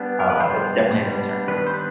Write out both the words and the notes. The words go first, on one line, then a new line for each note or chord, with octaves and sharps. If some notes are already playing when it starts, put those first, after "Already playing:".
uh, it's definitely a concern.
Already playing: G3 B3 D4
A#4
B4
G3 B3 D4 C5
G3 B3 D4
D#3 G3 B3 D4 B4
C5
B4